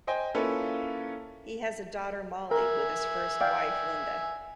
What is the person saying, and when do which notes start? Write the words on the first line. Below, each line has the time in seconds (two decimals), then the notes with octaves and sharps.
He has a daughter, Molly, with his first wife, Linda.
0.07 C5 D#5 G5 G#5
0.35 A#3 C#4 E4 F4 A4 B4
2.51 A#4 E5 G#5
3.41 D5 F5 G5